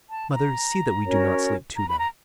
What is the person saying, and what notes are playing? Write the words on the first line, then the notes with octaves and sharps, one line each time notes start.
Mother, see that we do not sleep too long.
A5
A#5
C#4 F#4 A#4 C#5
A#5
B5
A#5